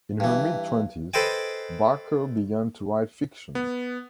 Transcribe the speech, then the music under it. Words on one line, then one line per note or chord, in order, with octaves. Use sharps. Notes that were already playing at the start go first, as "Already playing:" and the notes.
In her mid-twenties, Barker began to write fiction.
G2 E3
A4 B4 C5 D#5 G5 G#5
B3